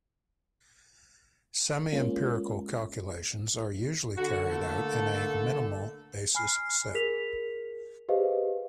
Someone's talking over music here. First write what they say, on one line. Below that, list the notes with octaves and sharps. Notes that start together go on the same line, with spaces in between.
Semiempirical calculations are usually carried out in a minimal basis set.
G#3 A#3 C#4 F4
D3 F#4
A3 A#3 A4
G#5 B5 F6 C7
G#4 A#4 B6 F7
G4 G#4 B4 C5 D#5 F5